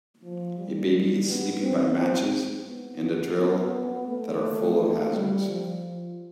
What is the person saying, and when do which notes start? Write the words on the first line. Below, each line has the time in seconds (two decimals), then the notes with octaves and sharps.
A baby is sleeping by matches, and a drill, that are full of hazards.
0.24 F3
0.58 G3
1.28 B3
1.63 C4
1.98 C4
2.68 B3
4.08 A3
5.13 G3
5.48 F3